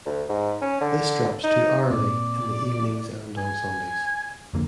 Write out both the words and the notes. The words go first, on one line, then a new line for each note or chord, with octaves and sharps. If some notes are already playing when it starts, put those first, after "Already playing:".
This drops to hourly in the evenings and on Sundays.
D2
G#2
C#4
D3
D#4
A#2 C4 D5
G#5
F2 D3 A#3